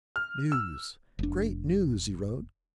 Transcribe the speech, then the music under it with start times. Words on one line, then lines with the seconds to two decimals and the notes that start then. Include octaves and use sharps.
'News! great news!' he wrote.
0.16 F6
0.52 E6
1.19 F1 D4